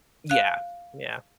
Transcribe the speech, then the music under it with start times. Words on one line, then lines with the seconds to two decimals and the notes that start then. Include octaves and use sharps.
Yeah, yeah.
0.30 F5 F#6